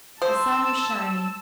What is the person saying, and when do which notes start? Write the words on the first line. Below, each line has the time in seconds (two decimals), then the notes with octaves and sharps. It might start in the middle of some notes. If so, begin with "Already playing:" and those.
The sun was shining.
0.22 C5 A5 E6